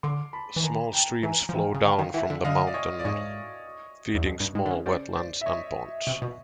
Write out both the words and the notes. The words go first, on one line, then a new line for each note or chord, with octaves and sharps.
Small streams flow down from the mountains feeding small wetlands and ponds.
D3 C6 D6
A5 B5
E3
D#3 G#5 A#5
G5 A5
E3 G#5 A#5
F3
E3 F5 G5
C#3
D3 F5 G5
D#3
E3 E5 F#5
D3
D3 D#5 F5
D5
C#5 D#5
D5
G#2 C#5 D#5
E2
F2
G2
G#2
D3
C#3
C#3 C5 D5
C5 D5
E5
C#5 D#5
C3
B2